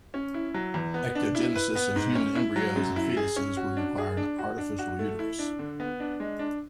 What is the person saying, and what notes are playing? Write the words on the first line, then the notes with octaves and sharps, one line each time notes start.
Ectogenesis of human embryos and fetuses would require an artificial uterus.
C#4
E4
F#3
E2
B3
D4
E4
B4
B3
G#2
C#4
E4
F#3
F#2
E4
G#4
C#4
F#4
D4
G#4
D4
F#4
D4
F#4
A3
E4
D4
D3
B3
D4
G#3
D4